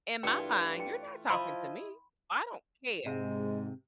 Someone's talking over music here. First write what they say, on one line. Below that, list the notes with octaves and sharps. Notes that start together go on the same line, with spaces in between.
in my mind, you're not talking to me, s I don't care.
G2 E3 A3 F4 G5
G5
F3 E4 D#5 B5 C6
G#2 C3 G#3